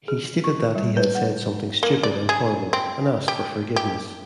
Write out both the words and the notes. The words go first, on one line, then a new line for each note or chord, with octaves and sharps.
He stated that he had said something stupid and horrible and asked for forgiveness.
G#4
C#6
G3
B4
F#5
A#3
D5
G#4
C4
G4
G4